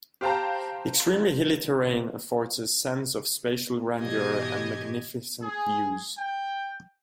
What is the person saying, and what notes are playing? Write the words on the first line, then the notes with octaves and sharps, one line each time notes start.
Extremely hilly terrain affords a sense of spatial grandeur and magnificent views.
G4 C5 F5 G5 A5 A#5
G#2 B2 E3 G4 D#5 G#6
G#4
G5